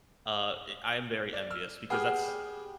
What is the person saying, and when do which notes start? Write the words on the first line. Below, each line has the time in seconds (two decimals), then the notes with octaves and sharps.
uh, i I am very envious because that's
1.33 D5
1.50 E6 F6
1.90 B3 G4 G#4 G5 F6